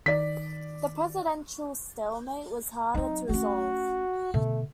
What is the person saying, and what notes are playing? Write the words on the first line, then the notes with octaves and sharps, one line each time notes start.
The presidential stalemate was harder to resolve.
D#3 D5 B6
F#3 C4 D#4
A3 C#4 F#4
B2 D3 A3